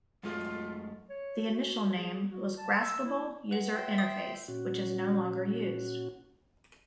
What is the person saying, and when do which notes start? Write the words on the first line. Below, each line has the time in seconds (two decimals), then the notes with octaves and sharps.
The initial name was Graspable User Interface, which is no longer used.
0.23 F#2 G#3 A3 F4
1.10 C#5
1.46 F#4
1.97 G#4
2.31 F#4
2.58 A5
2.80 E6
3.05 E4
3.51 B4 F#5
3.74 E5 G5 C6
3.98 D#6
4.48 A#2 C#4 F#4